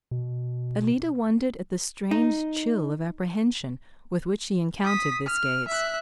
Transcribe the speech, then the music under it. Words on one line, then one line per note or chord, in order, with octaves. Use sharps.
Alida wondered at the strange chill of apprehension with which she encountered this gaze.
B2
D#4
D#6 B6
F6
E5 F#6